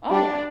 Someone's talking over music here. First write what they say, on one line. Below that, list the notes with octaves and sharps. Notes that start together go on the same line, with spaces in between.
Oh yeah,
G3 D4